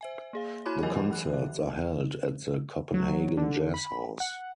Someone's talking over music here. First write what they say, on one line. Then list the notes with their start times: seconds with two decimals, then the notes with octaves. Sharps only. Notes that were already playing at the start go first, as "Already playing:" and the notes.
The concerts are held at the Copenhagen Jazz House.
0.01 C5 E5 G#5
0.33 A#3 G#4 F5
0.65 E4 F#4 C#5 B5 C6 D6
0.83 E3 F#3 G4 A#4 D#5 G#5
1.10 E3 F#6
1.33 D3
2.94 F#3
3.37 D3
3.74 B5
4.20 F#5